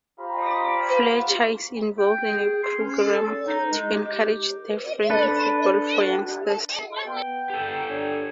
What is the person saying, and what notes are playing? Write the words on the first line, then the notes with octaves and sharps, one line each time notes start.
Fletcher is involved in a programme to encourage "Deaf Friendly Football" for youngsters.
F4 G4 C5 F5 A#5 B5
G5
G#4
C6
C#4
A4
D#4
G#3
G4
D4 A4 B4
B3 G5
G4 A4
D4 C#5